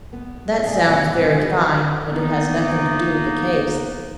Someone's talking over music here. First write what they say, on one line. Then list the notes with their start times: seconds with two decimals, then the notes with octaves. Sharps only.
'That sounds very fine, but it has nothing to do with the case.
0.13 B3
0.64 G#4 D5 E5 F5
0.84 D#2 C3 F#5
1.15 D2 C3 G#3
1.40 E4 F#4 B4
2.10 A#3 B3 D#4